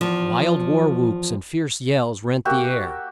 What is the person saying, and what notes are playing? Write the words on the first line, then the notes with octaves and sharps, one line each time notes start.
Wild war-whoops and fierce yells rent the air.
E2 F3
A#3 F#4 G4 E5